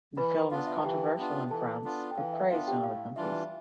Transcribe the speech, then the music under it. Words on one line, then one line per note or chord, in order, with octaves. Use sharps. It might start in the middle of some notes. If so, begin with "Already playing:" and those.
The film was controversial in France but praised in other countries.
E3 B4 B5
B3 D4 F4 F5
E5
A5
E3 G4 G5
B3 D4 F4
E3 A4 A5
B3 D4 F4
G5
E3 F5
E5
B3 D4 F4 F5
G4 G5
A2 F5
E3 G3 D4 F4 E5
E5